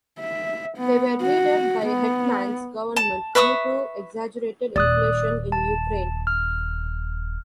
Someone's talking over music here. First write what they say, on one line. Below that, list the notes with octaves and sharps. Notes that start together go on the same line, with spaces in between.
They were needed by Hetman's Government due to exaggerated inflation in Ukraine.
E5
B3
F#4
B3
A5
B4 E5 C#6 D#6
D#1 D5 D#6 F#6
A5
F6